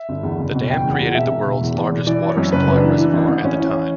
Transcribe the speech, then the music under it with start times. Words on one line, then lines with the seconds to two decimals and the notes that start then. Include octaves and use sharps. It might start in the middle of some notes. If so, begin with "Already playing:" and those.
The dam created the world's largest water supply reservoir at the time.
Already playing: E5
0.09 G1
0.23 E2
0.39 F#1
0.55 B2
0.69 F#1 G5
0.85 E2
0.93 F#5
1.00 E2
1.15 E1 E5
1.30 E1
1.46 E1
1.61 E2
1.77 E2
1.91 E1
2.07 E3 D5
2.23 E3
2.29 C#5
2.37 F#2
2.52 F#1 B4
2.68 F#2
2.76 D4
2.84 E3
2.98 E3
3.14 A1
3.29 A1
3.44 A1 C#4
3.59 E3